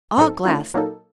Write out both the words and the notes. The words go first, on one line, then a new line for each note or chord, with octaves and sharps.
"All glass."
A2 F#3 C4 D#4 A4
D#3 A3 C#4 F4
A#2 F#3 A#3 D#4 A4